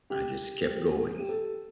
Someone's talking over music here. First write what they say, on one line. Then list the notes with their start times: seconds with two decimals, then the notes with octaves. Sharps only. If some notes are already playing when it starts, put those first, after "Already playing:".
I just kept going,
0.10 G4
1.19 G4
1.29 A4